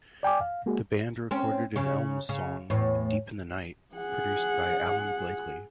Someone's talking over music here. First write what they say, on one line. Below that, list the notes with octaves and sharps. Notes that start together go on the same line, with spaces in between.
The band recorded an Elmes song, Deep In The Night, produced by Alan Blakely.
D5 G5 G#5 D6
F5
G#3 A#3 F#4 G#4
C4 C#4
C#3
C#3
E2 A2
G#4 F#5